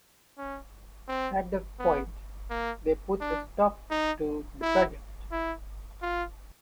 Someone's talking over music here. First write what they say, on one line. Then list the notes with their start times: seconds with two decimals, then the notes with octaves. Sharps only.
At that point, they put a stop to the project.
0.38 C#4
1.08 C4
1.79 B3
2.50 A#3
3.21 D4
3.90 D#4
4.62 E4
5.31 E4
6.02 F4